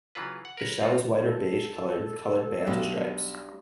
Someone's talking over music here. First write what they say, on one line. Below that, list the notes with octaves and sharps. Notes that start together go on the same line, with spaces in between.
The shell is white or beige-colored with colored bands or stripes.
C#3 E3 F#3 F4 B4
F#5
A#4 B4 C#5
C4 F4 F#4
A4
B1 G3 D4